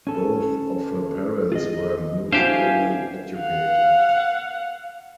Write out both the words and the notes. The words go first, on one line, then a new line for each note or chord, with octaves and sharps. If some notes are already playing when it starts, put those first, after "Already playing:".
Both of her parents were musically educated.
C#4 A4
F4 G#4 D#5
F2 D4 E4 F#4 G4 C5 F5 G#5
F5 F#5